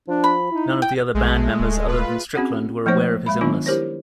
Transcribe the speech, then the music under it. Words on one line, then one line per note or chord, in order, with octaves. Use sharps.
None of the other band members other than Strickland were aware of his illness.
F3 D4
B5
D#4 E4
G5
A#1 G#3 A3
D1
F4 B4
C4 C#4 F#4 G#4 F#5
F3 A3 A#3 D#4 C5 C#5
G#3 E5 B5
D#3 F#3 B3 D4 D#4 F4
E4 G4 A#4 C5 C#5